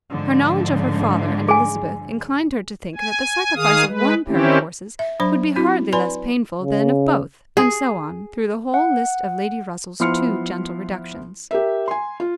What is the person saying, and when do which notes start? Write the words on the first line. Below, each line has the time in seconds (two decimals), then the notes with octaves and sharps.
Her knowledge of her father and Elizabeth inclined her to think that the sacrifice of one pair of horses would be hardly less painful than of both, and so on, through the whole list of Lady Russell's too gentle reductions.
0.12 G#2 D3 F3
1.48 G#4 G#5
2.96 G#5
3.56 D#3 G#4 F5 D#6
3.88 G#3 B4
4.28 D#3 C4 C#4 E4 G4
4.99 E5
5.20 F#3 D4 C5 B5
5.56 C4 E4 F#4
5.93 B4 D5 G#5 B5 C6
6.62 C#3
7.57 G#4
8.74 F#5
10.00 F3 B3 E4 C6 F6 C#7
11.51 G4 A#4 E5
11.88 G#5 C6
12.20 F4